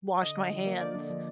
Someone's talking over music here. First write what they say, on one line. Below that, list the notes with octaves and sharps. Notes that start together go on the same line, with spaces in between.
washed my hands.
D3 D#5
D3
F3
A#3
D3 D5
D3
F3